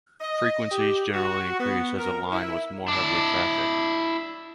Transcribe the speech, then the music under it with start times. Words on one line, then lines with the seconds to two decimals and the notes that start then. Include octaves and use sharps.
Frequencies generally increased as the line was more heavily trafficked.
0.21 D#5
0.70 G4
1.13 F#4
1.59 B3
1.98 A#4
2.32 E4
2.88 D4 E4